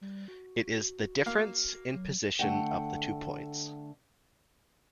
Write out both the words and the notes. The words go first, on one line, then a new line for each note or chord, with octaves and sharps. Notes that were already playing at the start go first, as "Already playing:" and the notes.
It is the difference in position of the two points.
G3
F#4
A#3 F5
F#3
D3 A3 F#5 G5